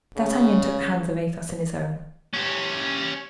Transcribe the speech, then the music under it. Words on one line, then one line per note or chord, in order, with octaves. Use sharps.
D'Artagnan took the hands of Athos in his own.
C#3
C#4 G4